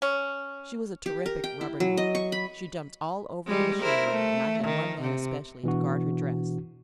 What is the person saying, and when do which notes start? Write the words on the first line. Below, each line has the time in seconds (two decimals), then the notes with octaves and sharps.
She was a terrific 'rubberneck.' She jumped all over the machinery, and I had one man especially to guard her dress.
0.02 C#4
1.06 G4
1.26 A#4
1.44 G5
1.61 E4
1.80 F#3
1.97 D#5
2.15 C#6
2.32 B5
3.47 G3 G#3
3.82 E4 A#4 C5
4.11 A3
4.64 D#3
5.02 C3
5.64 B2 E3 D4 F#4